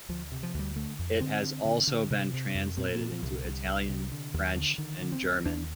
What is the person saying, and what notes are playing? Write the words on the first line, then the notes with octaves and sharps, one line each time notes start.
It has also been translated into Italian, French, and German.
D2 F3
C3
F3
D2
G3
D3 A3
F2
D3 C4
D3
D3
D3
C3
C3
F2
A#2 C4
A#3
A#2
F3
C2 D3
C2
C2
C3
D3
D#2
D3
D3 D#3
D3
C4
D2
D#2 D4